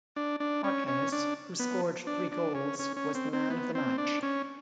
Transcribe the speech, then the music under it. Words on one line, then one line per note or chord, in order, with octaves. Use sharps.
Marques, who scored three goals, was the man of the match.
D4
D4
C#4
C#4
D4
B3
D4
D4
C#4
C#4
C#4
C4
C4
B3
C4
D4
C#4